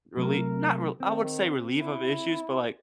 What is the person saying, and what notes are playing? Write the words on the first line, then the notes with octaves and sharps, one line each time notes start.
really not real I wouldn't say relieve of issues, but, like,
C3 F#3 A3 A#4
D#3 C4
E4